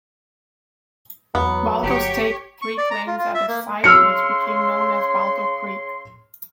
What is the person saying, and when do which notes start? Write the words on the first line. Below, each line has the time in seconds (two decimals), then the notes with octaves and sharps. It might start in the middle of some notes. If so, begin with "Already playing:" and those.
Balto staked three claims at a site which became known as Balto Creek.
1.35 E2 F#3 B3
1.83 G1 G4 C#5
2.62 C#6
2.78 D5
2.91 A#5
3.07 F4
3.18 F4
3.34 E5
3.48 A#3
3.84 C#3 C#5 C6 E6 F6 C#7